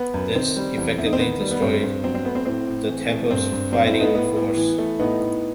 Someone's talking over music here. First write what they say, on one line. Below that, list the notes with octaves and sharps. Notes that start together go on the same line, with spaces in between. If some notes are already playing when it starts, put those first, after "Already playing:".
This effectively destroyed the temple's fighting force.
Already playing: B3
F#2
D#3 C4
G3
E2
E2 E4
D#4
C4
D#3 B3
G3
B3
G2 C4
G2
F#3 C4
C4
A3 B3
C4
A2 C4
A2
E3
A3
G2 C4
G2
F#3 C4
C4 E4
A3
B3 D#4
A2 B3
A2
E3
A3
A2 B3 D#4
A2